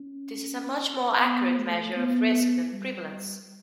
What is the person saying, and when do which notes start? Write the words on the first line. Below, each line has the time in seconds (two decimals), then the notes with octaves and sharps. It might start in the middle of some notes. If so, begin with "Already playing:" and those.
This is a much more accurate measure of risk than prevalence.
Already playing: C#4
1.20 B3
1.57 A3
1.96 B3
2.72 G3